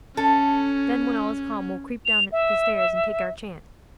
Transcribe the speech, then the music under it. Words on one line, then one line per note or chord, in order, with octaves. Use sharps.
Then, when all is calm, we'll creep down the stairs and take our chance.'
C#4 A4
F7
E5